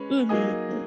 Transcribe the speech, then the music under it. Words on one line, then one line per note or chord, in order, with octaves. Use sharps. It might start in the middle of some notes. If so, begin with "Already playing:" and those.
Mhm. M
Already playing: G#3 C#4 B4
F#3 A#3 D#4 G#4 D#5